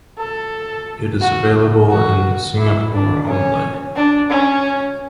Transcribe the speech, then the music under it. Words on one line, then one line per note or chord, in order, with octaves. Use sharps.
It is available in Singapore only.
A4
F#4
F#4
E4
D4
C#4
D4
C#4